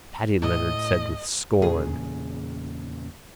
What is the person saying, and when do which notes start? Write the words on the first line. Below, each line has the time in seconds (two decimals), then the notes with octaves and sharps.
Paddy Leonard said with scorn.
0.42 A2 D#5
1.62 E2 A#2 C#3 G#4